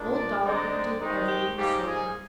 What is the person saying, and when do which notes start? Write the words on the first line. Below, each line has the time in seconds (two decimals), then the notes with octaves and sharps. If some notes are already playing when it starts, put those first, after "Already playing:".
Old Dolliver did everything slowly.
Already playing: A#2 G#3 D4
0.14 D5
0.42 D3 G#3 C4 D#4 D5
0.99 D#3 G#3 C4 D#4
1.29 G4
1.57 G#2 G3 A#3 D#4 G4
1.87 G#4